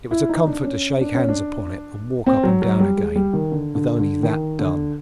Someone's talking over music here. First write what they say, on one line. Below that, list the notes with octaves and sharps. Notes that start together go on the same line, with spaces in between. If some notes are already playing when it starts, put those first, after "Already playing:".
It was a comfort to shake hands upon it, and walk up and down again, with only that done.
E4
D#4
D4
C#4
D4
C#4
D4
C4
F#3
F#3
G3
G#3
G3
D#3
D3
D3
D3
D#3
D3